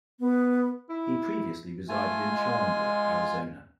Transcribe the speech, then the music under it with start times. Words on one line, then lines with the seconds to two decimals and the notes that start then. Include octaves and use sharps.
He previously resided in Chandler, Arizona.
0.20 B3
0.89 E4
1.89 A3 F4 G#5
2.31 G#3